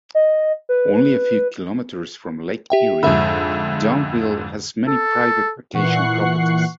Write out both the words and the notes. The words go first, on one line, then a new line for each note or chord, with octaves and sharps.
Only a few kilometres from Lake Erie, Dunnville has many private vacation properties.
D#5
B4
G4 E5 G5
F2 G#2 D3 E5 B5
A4
A#2 E3 F#5 C#6 F#6 C7